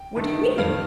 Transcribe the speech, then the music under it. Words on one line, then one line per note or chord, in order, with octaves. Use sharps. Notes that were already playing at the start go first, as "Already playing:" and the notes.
"What do you mean?"
Already playing: G5
G1 G2 D#3 A3
A1 G2 D#3 G3 F5